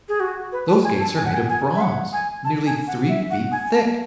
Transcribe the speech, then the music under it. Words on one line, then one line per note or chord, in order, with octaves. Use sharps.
Those gates are made of bronze, nearly three feet thick!
G#4
F#4
B4
A5
G#5
A5
G#5
F#5
G#5
G#5
E5
F#5
G#5
A5
G#5
F#5
E5
F#5
G#5
A5